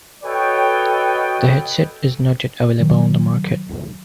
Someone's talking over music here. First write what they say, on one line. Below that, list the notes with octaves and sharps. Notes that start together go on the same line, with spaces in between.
The headset is not yet available on the market.
F#4 A4 B4 C#5 D#5 G5
D#3 F#3